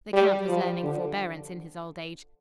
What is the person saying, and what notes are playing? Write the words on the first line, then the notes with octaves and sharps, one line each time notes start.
The count was learning forbearance in his old age.
G3
F3
D3